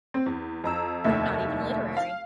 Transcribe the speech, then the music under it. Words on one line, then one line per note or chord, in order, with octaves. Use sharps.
I'm not even literary.
C4
E2
F2 A#5 E6
F1 D#2 A3 E4 E5
F5